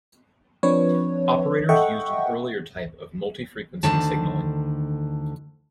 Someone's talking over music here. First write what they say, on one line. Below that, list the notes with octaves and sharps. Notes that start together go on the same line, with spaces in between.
Operators used an earlier type of multi-frequency signaling.
F3 C4 D4 B4 C#5
A4 D#5 E5 F#5 G5 C#6
D2 D3 D#3 A5